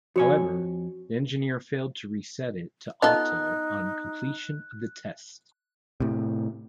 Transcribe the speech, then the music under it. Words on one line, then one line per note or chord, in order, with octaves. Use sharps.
However, the engineer failed to reset it to "auto" on completion of the test.
F2 F#4 C#5 G#5
B3 D#4 F4 A4 D#5 F#6
A2 C3